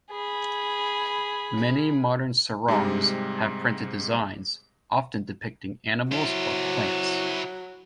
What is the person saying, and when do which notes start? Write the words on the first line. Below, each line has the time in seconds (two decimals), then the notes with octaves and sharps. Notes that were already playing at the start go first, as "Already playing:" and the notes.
Many modern sarongs have printed designs, often depicting animals or plants.
0.10 G#4 B5
2.68 G#2 C3 G3 G#3
6.12 F#3 E4 C5